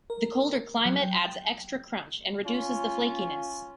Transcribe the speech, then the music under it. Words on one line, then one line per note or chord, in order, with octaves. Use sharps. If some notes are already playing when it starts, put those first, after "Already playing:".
The colder climate adds extra crunch and reduces the flakiness.
A#4
F#3
G5
C#4 F4